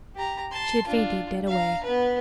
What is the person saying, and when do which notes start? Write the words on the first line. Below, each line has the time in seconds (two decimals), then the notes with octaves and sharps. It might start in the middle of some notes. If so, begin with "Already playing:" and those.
She had fainted dead away.
0.16 G4 A#5
0.52 A5 C6
0.87 D4 F4
1.47 F5 A#5
1.84 B3 B4